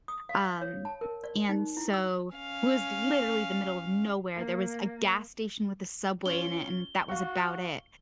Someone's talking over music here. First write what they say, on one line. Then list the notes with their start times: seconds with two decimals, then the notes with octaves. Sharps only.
um, and so, was literally the middle of nowhere. There was a gas station with a Subway in it, and that was about it.
0.08 D#6
0.29 F5
0.61 C#5
0.85 A5
1.01 A#4
1.24 D5
1.49 D#4
1.77 E4
1.93 E6
2.35 C#4 F5
4.34 A#3
6.26 C#4 F4 G7
7.08 F#4 F5 C#6